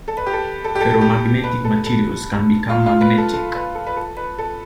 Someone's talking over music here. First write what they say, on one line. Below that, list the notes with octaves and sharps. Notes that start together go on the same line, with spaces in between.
Ferro-magnetic materials can become magnetic.
A4
B4
G4
A4
A4
G4
A4
A4
G4
B4
A4
A4
F4
F4
B4
A4
A4
B4
A4
B4
A4
B4
A4